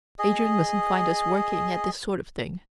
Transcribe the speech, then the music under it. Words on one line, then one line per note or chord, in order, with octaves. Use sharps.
Adrian mustn't find us working at this sort of thing.
G#4 D#5